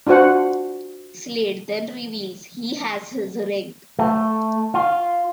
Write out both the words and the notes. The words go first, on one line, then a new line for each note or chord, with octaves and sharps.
Slade then reveals he has his ring.
D4 F4 F#4 C5 F#5
A3
F4